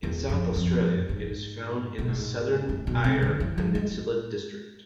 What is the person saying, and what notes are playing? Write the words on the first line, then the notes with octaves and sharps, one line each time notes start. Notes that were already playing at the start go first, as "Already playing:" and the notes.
In South Australia it is found in the southern Eyre Peninsula district.
E2
F2
F2
G#2
B2
A2
G#2
A2
B2
C3
D3
E3
F3
G#3